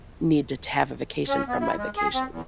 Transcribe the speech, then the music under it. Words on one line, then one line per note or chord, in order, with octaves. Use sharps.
need to to have a vacation from my vacation.
C#4
B3
E4
G#3
G#4
C4
E2